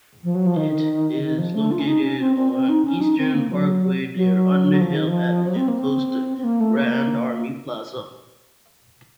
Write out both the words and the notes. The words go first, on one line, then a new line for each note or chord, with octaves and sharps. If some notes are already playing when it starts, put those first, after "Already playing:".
It is located on Eastern Parkway near Underhill Avenue, close to Grand Army Plaza.
F3
F#3
F3
D#3
D#3
F3
A3
F4
C#4
D#4
C#4
C4
C4
C4
D#4
C#4
D#4
C4
A#3
F#3
F#3
F3
D#3
F3
F#3
C4
A#3
C4
C4
A#3
A3
A#3